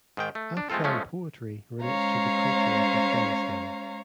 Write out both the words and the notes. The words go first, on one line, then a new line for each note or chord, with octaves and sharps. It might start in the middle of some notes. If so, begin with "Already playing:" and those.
Afghan poetry relates to the culture of Afghanistan.
G#2 D#3 G5
A3
D4
G#3 A3 C4 F4 A4
F3 G#3 A3 C#4
G#3 C#4 C5 C#5 F5 A#5